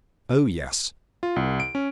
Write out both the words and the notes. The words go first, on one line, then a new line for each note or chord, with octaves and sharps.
Oh, yes!
F4
C2
D7
C#4